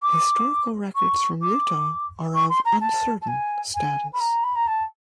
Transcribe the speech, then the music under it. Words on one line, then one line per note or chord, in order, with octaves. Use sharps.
Historical records from Utah are of uncertain status.
D6
C#6
D6
C#6
C6
A#5
A5
A5
G#5
G#5
B5
A#5
B5
A#5
A5